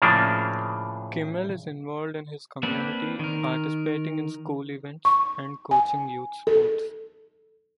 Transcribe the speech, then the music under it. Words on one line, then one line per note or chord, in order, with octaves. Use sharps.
Kimmel is involved in his community, participating in school events and coaching youth sports.
A2 C#3 F3 A#3 D4
A#3 C4 D4 B4
D#3 A#4
C#6
G#5
A4